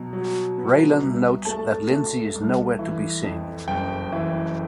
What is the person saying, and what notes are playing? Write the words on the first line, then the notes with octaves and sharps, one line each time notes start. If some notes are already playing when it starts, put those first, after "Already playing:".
Raylan notes that Lindsey is nowhere to be seen.
Already playing: B2 F#3
F#3
B3
C2
A3 A5
A3
C2
E3
F2
F#1 G5
E3